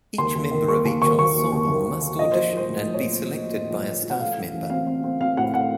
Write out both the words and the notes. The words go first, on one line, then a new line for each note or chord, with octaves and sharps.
Each member of each ensemble must audition and be selected by a staff member.
D#2 C6
D#2
D#3
A#3 C#6
D#2
D#3 C#6
D#2 C#6
A#3
D#2
D#2
D#3
D#3
A#1 D#5
A#1 C5
A#1 C5
A2
A#1
C#5
A#1
A#1
A#1
A2
A#1
A#1
A#1
F#5
A3 F5
A1
A1
C4 F5
C4
C4
C4 F5
A2 F#5
F#5